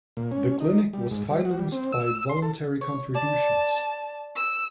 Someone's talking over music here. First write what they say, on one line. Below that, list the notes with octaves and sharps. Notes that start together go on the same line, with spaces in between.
The clinic was financed by voluntary contributions.
A#2
C#4
D#4
G3
G#2
G3
F#4
G3
C4
E6
C6
A4
C#5
D5 A5
E6